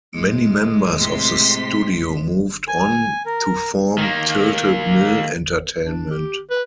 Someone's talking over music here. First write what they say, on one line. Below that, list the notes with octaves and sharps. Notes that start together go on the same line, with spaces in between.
Many members of the studio moved on to form Tilted Mill Entertainment.
A2 G#3
C3 C6 B6
G#5
A#4
D#3 A#3
D4
G4
B4